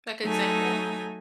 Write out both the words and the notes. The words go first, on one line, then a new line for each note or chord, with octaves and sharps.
Like, example?
F#3 A3 D#4 A4 G#5